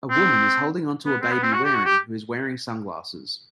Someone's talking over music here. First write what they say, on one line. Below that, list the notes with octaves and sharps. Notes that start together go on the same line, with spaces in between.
A woman is holding onto a baby wearing who is wearing sunglasses.
C4
B3
C4
B3
C4
F#4
G4
F#4
G4